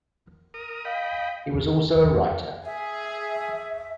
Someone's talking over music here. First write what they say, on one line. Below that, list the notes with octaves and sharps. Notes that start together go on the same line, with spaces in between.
He was also a writer.
A#4 D#6
D#5 F5 G5 B5
G#4 E5